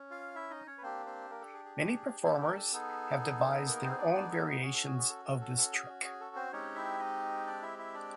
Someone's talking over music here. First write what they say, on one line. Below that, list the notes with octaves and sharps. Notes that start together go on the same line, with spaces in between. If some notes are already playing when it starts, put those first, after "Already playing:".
Many performers have devised their own variations of this trick.
Already playing: C#4
F4 F5
E4 E5
D#4 D#5
C#4 C#5
B4
A#3 C4 D4 G4 C5
C4 C5
A#3 A#4
A4
G#4
G#4
G#4
A4
A#3 A#4
A4
B3 D#4 G#4 A4
A#3 A#4
C4 C5
D4 D5
D4 D5
A4
G#4
C#4 F#4 G#4
A4
G#4
G#4
A4
A4
A4
A4
G#4
G#4
A4
C4 C5
G#3 C4 C#4 D#4 G4 C#5
E4 E5
D#4 D#5
D4 D5
E4 E5
E4 E5
D4 D5